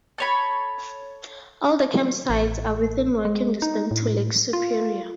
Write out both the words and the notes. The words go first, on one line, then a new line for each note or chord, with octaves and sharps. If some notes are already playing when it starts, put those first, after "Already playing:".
All the campsites are within walking distance to Lake Superior.
A4 C#5 B5
A1
G#3
D#4
A2
F4